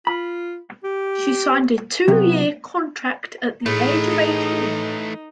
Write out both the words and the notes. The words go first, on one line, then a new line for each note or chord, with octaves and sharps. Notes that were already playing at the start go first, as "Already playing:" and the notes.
She signed a two-year contract at the age of eighteen.
F4 B5
G4
C3 F#3 B3
A2 E3 A3 D#4 G#4